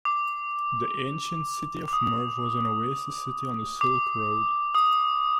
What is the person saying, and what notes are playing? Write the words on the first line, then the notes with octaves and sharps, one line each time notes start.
The ancient city of Merv was an oasis city on the Silk Road.
D6
D6
D#6
D6
D#6